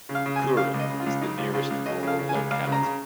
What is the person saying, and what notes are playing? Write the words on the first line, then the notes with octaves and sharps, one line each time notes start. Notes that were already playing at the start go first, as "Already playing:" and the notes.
Kurin is the nearest rural locality.
C#3
F5
C#3
G#5
C#3
C#3 F5
C#2
D#5
C#3
F4
C#2
C#3 D#4
C#2 F4
C#3 F4
C#2
C#3 D#5
C#3 F5
C#3
G#5
C#2
C#2 F5
C#3
A#5
C#3